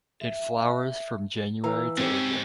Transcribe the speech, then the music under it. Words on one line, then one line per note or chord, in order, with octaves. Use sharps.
It flowers from January to April.
E5
E3 F5 A#5 E6
G#2 C4 C#4 D#4 G4 C5 D6